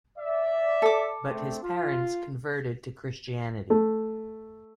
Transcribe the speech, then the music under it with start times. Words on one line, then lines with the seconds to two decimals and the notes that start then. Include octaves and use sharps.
But his parents converted to Christianity.
0.19 D5 E5
0.82 A4 D6
1.29 A3 C4 D4
1.63 F4
3.70 A3